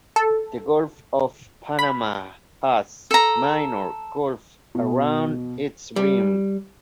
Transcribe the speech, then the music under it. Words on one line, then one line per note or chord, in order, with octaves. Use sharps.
The Gulf of Panama has minor gulfs around its rim.
A4
B5
A4 A#5
B2
G3